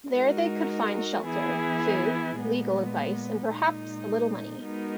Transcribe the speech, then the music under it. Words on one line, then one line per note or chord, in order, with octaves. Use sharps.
There they could find shelter, food, legal advice and perhaps a little money.
G#3 D#4 F#4 A#4
E3 B3 E4 G#4
A#2 G#3 B3
A#2 G#3 D#4
G#3 B3 D#4 F#4 A#4